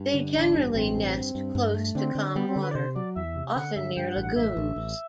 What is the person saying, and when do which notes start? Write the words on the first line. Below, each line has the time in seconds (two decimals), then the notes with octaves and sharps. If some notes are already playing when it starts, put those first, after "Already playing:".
They generally nest close to calm water, often near lagoons.
Already playing: G2
0.14 D3
0.34 A1 D4
0.55 G2
0.75 A1 C4
0.95 G2
1.15 G2
1.35 G2
1.55 G2
1.74 A3
1.95 D3 C4
2.15 D3
2.36 G3 B3
2.48 C4
2.56 D3
2.62 B4
2.71 D5
2.75 C3 C5
2.95 F#3 D5
3.15 E2 E5
3.36 C3
3.56 D3 F#5
3.76 G2 E5
3.97 G2 G5
4.10 F#5
4.16 A1
4.22 F#5
4.36 A1 E5
4.57 A1
4.76 A1